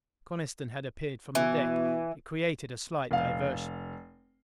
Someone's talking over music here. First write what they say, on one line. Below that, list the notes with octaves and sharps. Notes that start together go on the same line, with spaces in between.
Coniston had appeared from the deck; it created a slight diversion.
B2 E3
F1 F5